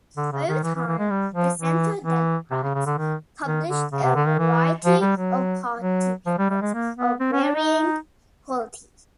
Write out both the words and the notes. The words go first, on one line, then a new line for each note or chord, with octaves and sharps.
Over time the Centre Democrats published a variety of party papers of varying quality.
D3
C#3
D#3
E3
E3
E3
G#3
G3
F3
E3
E3
C3
C#3
C#3
D3
D#3
D#3
D3
C#3
C3
D3
D#3
E3
F3
G3
F#3
F#3
F3
G3
G3
G#3
A#3
B3
C4
C#4
D4
D#4